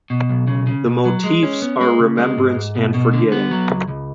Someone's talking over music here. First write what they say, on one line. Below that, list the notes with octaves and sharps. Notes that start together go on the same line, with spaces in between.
The motifs are remembrance and forgetting.
B2
B1
C#3
C#3
B2
F#3
G#3
C#4
B3
G#3
C#3
G#3
G#2
G#2
B2
B2
D3
B3
F#3
C#2
C#2